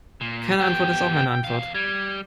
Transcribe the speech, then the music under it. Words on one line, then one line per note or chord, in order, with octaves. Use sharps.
Keine Antwort ist auch eine Antwort.
A#2
B3 G4 G5
E2 F5
G3 G#6